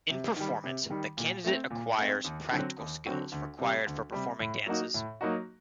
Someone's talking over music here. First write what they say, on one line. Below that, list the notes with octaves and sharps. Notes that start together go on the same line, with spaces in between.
In Performance, the candidate acquires practical skills required for performing dances.
C3
D#3 G3
C3
D#3 G3
A#2
A3 C4
A#2
A3 C4
D#2
D3 F#3 C4 F#4
D#2
D3 F#3 C4 F#4
D2
C3 G3
D2
C3 G3
A2
F#3 A#3 D#4 F#4
A2
F#3 A#3 D#4 F#4